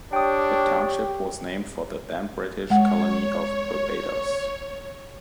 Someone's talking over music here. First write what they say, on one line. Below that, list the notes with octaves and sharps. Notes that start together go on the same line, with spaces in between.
The township was named for the then-British colony of Barbados.
D4 G4 C#5 G5 D#6
G#3 C#5 F#5